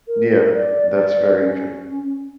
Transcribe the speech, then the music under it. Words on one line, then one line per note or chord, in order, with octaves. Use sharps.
Yeah, that's very true.
A#4
D5
D5
C#4